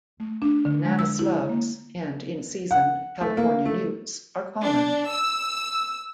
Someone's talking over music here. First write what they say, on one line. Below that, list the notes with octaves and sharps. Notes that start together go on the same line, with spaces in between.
Banana slugs and, in season, California newts are common.
A3
D4
D3
G#3
E6
E4
A#3
F#5
A3
A#3
A3
D4
E6